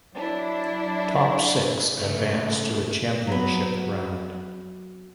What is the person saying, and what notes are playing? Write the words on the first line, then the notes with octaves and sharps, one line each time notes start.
Top six advance to the championship round.
F#3 D4 E4
C#3 A3
F#3 B3